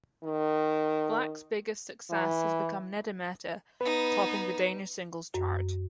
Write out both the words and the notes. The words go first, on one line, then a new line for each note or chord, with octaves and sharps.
Blak's biggest success has become "Nede mette" topping the Danish singles chart.
D#3
E3
B3 D#4 B4
F#2